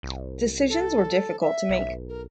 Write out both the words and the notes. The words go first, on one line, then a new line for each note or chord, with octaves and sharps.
Decisions were difficult to make.
C2
A4
E5
B1
A#4